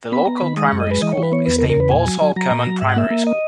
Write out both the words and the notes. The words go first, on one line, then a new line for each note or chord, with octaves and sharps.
The local primary school is named Balsall Common Primary School.
B3 B5
B3 A#5
D#3 B5
G#3 D#6
F#2 C#6
D#5
G#3 B4
E3 D#5
C#5
E3
B4
B3 C#5
E2 B4
A#4
C#3
A#4
E2 B4
A#2 G#5
F#3
F#3
F#3 A#5
A#2
F#3
G#2 E5
F#5
A#3 E5
A#3
D#5